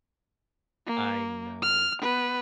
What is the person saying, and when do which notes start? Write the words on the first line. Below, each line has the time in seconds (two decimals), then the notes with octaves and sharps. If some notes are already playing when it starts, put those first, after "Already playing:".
I know.
0.86 A#3
1.62 F6
2.01 B3 B4